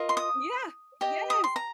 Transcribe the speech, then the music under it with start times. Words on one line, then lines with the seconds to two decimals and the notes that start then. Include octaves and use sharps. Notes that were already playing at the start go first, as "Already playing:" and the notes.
Yeah. Yes.
Already playing: F4 A#4 D#5
0.09 C6
0.17 D#6
1.01 G4 D#5
1.30 D#6
1.44 C6
1.56 A#5